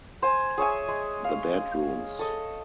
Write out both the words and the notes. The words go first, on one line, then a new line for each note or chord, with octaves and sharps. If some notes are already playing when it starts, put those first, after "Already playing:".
The bedrooms.
C5 G#5
G#4 C#5 E5 G#5
G#3
F5
A4 D#5